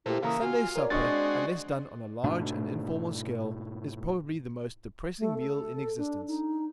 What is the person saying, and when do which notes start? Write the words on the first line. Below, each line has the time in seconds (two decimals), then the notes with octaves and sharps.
Sunday supper, unless done on a large and informal scale, is probably the most depressing meal in existence.
0.06 A#2 A3 E4 G4 A4 C5
0.23 C#3 E3 A#3 F5 A#5 D#6
0.42 F4 F#4 G#5
0.76 A#4 C#5 D5
0.90 G#3 C4 D4 F#4 D#5 C#6 A6
2.24 G#2 B2 A3 D4
5.19 A3
5.38 A4
5.98 D4
6.28 D#4